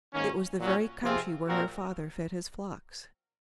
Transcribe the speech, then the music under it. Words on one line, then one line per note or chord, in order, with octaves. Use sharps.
It was the very country where her father fed his flocks.
G#2 D#3 A#3 C#4
A#2 F#3 C#4
C3 F3 C4 F4 G#4
A#2 F3 C4 F#4 A#4